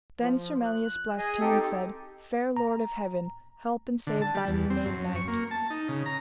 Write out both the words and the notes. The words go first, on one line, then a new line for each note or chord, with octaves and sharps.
Then Sir Melias blessed him and said: Fair lord of heaven, help and save thy new-made knight.
F3
F#6
G#4 D#5 G#5
C4 D#4 G4 A4
A#5
D3
A5
G3
E2
C4
F#2
C#6
A#3
A5
D#4
C#3
A#5